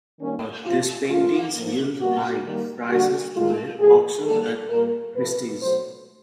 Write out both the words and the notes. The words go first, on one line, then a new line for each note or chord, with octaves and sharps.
These paintings yield high prices today, auctioned at Christie's.
D#3 G3 A#3 C#4
C3 F3 A3 F4
A#2 F3 A3 F4
A2 F3 A#3
B2 G3 A#3 F#4
D#3 G3 A#3
D3 G3 A#3 F#4
D#3 G#3 F4
A2 F3 A#3 G#4
D#3 G3 A#3 A4
A#2 G3 A#3 A#4
A2 F3 A3 B4
B2 F#3 A3 C5